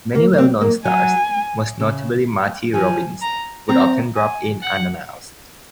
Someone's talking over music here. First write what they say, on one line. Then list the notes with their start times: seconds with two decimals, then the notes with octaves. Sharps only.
Many well-known stars, most notably Marty Robbins, would often drop in unannounced.
0.15 A#3
0.33 A#3
0.38 C4
0.61 A#3
0.85 F#3 G#5
1.80 C#3
2.74 F3 G#5
3.22 A#5
3.68 C4 A#5
4.16 G#5
4.63 F#5